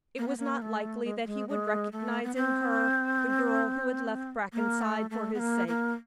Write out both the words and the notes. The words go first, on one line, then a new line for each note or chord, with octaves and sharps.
It was not likely that he would recognize in her the girl who had left Brackenside for his sake.
A#3
B3
A#3
A3
G#3
G#3
G#3
A3
B3
C4
A#3
A3
A3
B3
A#3
A#3